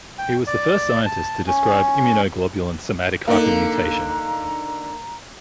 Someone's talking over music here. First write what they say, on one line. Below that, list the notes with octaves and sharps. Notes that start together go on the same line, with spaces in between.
He was the first scientist to describe immunoglobulin somatic hypermutation.
G5
D5
A5
C#4
D3 A#3 D#4 F5 A#5